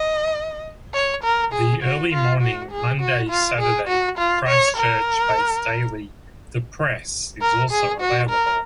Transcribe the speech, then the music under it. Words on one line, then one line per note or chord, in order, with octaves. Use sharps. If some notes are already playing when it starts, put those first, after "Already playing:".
The early morning Monday-Saturday Christchurch based daily The Press is also available.
Already playing: D#5
C#5
A#4
G#4
F#4
F4
F#4
G#4
F#4
F4
G#4
F#4
F4
C#5
A#4
A#4
G#4
F#4
A#4